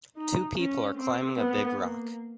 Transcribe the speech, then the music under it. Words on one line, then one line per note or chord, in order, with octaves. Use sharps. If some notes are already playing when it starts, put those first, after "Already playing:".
Two people are climbing a big rock.
D#4
C#4
C4
B3
A#3